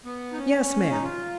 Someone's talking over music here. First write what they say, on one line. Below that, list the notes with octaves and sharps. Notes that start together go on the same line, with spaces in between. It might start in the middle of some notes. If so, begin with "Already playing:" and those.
"Yes, ma'am."
B3
D#4
C#4
D#4
F4